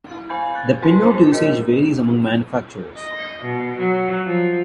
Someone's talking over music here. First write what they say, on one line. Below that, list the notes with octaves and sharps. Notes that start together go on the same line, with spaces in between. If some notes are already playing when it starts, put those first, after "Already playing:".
The pinout usage varies among manufacturers.
E4
C5 F5 G#5 B5 G6 G#6
F#6 A6
F4 A#4 B4 G#5 A5 C6
B3 D4 G#4 C5
F#4 A#4 C5 C#5 D#5
D#5
B2
F#3
F3